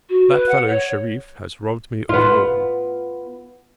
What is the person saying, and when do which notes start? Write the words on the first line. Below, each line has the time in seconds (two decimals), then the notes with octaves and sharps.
That fellow Sherif has robbed me of all.
0.09 F#4
0.28 B4
0.48 F#5
0.67 C#5
2.09 B3 F4